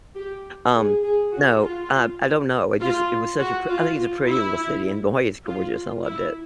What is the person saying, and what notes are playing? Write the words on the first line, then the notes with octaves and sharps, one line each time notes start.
Um, no, um, I don't know. It just it was such a pr I think it's a pretty little city, and boy, it's gorgeous. I loved it.
G4
G#4
G#4
F#4
F4
F4
F#4
F4
F4
E4
F4
E4